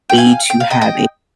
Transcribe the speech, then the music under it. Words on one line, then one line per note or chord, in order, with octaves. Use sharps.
stage to have a
G5
F5 G#5
G5
F5
D#5 G5
D#5 G5